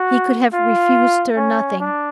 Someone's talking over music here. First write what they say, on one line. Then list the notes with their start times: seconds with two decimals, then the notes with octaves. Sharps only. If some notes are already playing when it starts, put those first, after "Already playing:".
He could have refused her nothing.
Already playing: F#4
0.53 F4
1.37 C#4
1.80 D4